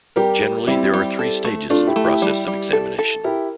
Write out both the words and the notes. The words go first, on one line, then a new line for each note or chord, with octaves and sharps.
Generally, there are three stages in the process of examination.
G3 G4 A#4
G3
G3 C4 E4
G3
A4
A3
A3 D4 F4
E4 G4
A3
E4 G4
G3
G3
A4
A4
E4 G4 A#4